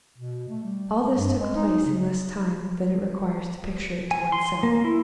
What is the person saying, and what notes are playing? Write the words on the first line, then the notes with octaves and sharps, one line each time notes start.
All this took place in less time than it requires to picture it to one's self.
B2
A3
G3
G2
G#3
D#4
C#3
G#5
C6
A#3
E4